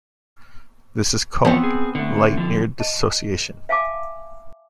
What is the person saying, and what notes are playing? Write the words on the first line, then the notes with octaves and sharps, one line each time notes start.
This is called "light-near dissociation".
E2 F3 B3 C4 C#5
G#4
D3 A3
D3 F3
D#5 A5
E5 F5 G#5 A5 D6